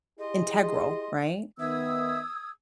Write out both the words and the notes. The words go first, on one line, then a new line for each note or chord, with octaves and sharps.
integral, right?
E4 G4 G#4 D#5 C6
D#3 B3 E5 D#6 E6 G#6